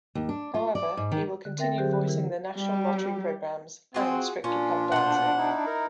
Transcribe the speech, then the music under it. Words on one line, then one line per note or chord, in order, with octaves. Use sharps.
However, he will continue voicing the National Lottery programmes and "Strictly Come Dancing".
D#2
D4
F4
D5
G#2
D#3
D3
C4 A#4 E5 G5 A6 A#6
D3 F#3 G4 G#4 C5
D3
E3 E4 A#4
G3 G4
C4 F4 F#4 G#4
A#2 C#4 D4 F4
B2 C5 F#5
D#4 E4
A#4